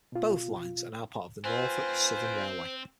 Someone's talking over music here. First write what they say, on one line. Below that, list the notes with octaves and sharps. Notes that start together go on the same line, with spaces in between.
Both lines are now part of the Norfolk Southern Railway.
B2 F4
C4 F4 B4 C5 G#5